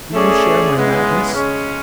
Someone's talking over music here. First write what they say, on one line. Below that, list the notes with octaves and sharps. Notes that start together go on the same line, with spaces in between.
Do you share my madness?
A3 C#4 G#4 D5
C#3 E3 G#3 B3
C#3 G#3 C#4